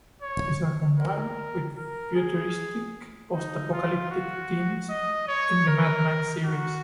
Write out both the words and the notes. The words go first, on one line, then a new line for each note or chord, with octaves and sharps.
These are combined with futuristic post-apocalyptic themes in the Mad Max series.
C#5
A#4
A#4
G#4
D#4
F4
F#4
D#5
C#5
A#4
F#4